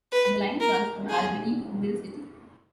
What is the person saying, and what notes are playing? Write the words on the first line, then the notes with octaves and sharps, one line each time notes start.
The line runs from Albany to Mill City.
B4
A#4
G#4